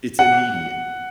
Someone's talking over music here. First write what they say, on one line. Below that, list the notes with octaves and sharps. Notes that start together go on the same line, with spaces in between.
It's immediate.
F#5